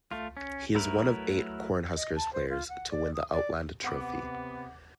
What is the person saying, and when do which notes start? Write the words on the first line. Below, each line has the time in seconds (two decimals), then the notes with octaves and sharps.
He is one of eight Cornhuskers players to win the Outland Trophy.
0.11 A3 F4
0.37 C#4
0.75 F#3 A3 E4 A#4 B4
1.96 D#5
2.16 A5
2.33 C5
2.49 F4
2.69 F#5
2.90 D5
3.14 D#6
3.32 D5
3.84 C3 B3 F#5 D6